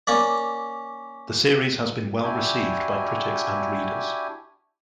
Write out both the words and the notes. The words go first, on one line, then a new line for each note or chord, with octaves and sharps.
The series has been well received by critics and readers.
A#3 C#4 D5
D4 E4 F#4 G4 G#5